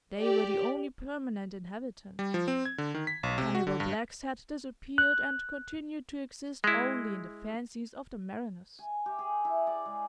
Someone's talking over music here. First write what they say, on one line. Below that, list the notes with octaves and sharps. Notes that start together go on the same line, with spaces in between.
They were the only permanent inhabitants; the cannibal blacks had disappeared, and continued to exist only in the fancies of the mariners.
G4 D5
G3
F3
C4
G#6
D3
D#3
B6
B1
C3
F#4
D3
G2
F#6
G#3 E4
G#5
G4
G#4
E4
D5
G#3